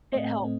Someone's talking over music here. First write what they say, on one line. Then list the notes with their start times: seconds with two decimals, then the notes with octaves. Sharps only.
it helps.
0.12 A2 A3 C4 D#5
0.42 A2 A3 C4